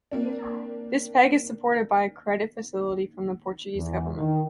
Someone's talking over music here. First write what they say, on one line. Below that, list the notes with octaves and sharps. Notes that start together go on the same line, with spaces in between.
This peg is supported by a credit facility from the Portuguese government.
A#3 C4 D4
E2
D#3